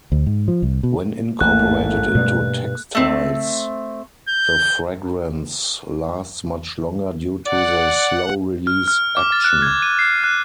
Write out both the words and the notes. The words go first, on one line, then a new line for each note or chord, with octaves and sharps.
When incorporated into textiles the fragrance lasts much longer due to the slow-release action.
D2
G#2
F3
C2
B2
A1 G#2 E3 A3 A#3 F#6
G2 B2 G3
A3 C4
G6
D5 F#5
F6
F6
D6
A6
F#6
G#6
D#7
C7
F#6